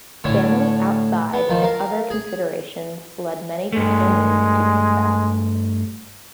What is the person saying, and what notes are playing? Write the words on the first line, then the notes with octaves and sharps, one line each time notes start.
Family outside and other considerations led many detainees to confess.
A2 D3 C#4 D4
B3
D#3 F3
A#4 F5
G#4
G2 G#3 A3